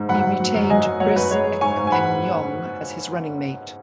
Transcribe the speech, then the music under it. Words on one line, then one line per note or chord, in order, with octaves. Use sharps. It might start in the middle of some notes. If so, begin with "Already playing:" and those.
He retained Chris Ekpenyong as his running mate.
Already playing: G#2
F#2 F#5 B5
F#2
F#3
F#2
F#2 D#5 G#5
F#2
F#3 C#5 F#5
F#2 F#4 B4
G#3 G#4 C#5
G#3
G#2 G#5 C#6
G#2
G#5
F#5 B5